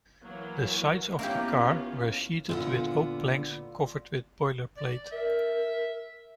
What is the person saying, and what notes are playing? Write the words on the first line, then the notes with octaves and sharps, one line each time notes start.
The sides of the car were sheathed with oak planks covered with boiler plate.
E3 F#3 A#3
A#3 B3 C#4 E4 F4 G4
A#2 D3 B3 F4 D5
D5
A#4 E5